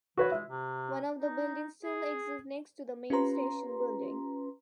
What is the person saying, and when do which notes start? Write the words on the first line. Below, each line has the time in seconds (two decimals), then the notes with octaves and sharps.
One of the buildings still exist next to the main station building.
0.17 E3 F#4 B4 C#5
0.32 G#3 E5
0.48 C3
1.14 D#4
1.83 G#4
3.10 C#4 F4 G4 B4 A#5 C6